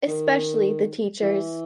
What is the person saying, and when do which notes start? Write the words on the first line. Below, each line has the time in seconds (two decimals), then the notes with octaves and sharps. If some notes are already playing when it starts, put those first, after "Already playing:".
Especially the teachers.
0.07 D#3
1.22 E3